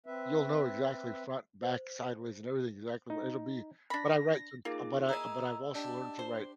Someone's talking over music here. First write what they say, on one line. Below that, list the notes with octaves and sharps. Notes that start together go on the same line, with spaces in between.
you'll know exactly front, back, sideways, and everything exactly what it'll be. But I write some but I but I've also learned to write,
C4 B4 E5
C5
D#4
D4 B5 A#6
A#3 D#4 F4 G#4 D6
E4 G#4 D#5 A#5 E6
D4 G4 A5
C5